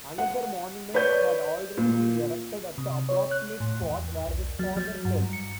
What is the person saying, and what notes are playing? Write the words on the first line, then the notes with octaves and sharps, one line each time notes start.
Another monument had already been erected at the approximate spot where his father fell.
F#5
B4 C#5 D5 G6
A#2
C3
C#5
F#6
A2
E2
B1
F#3
F#3
G2
C#7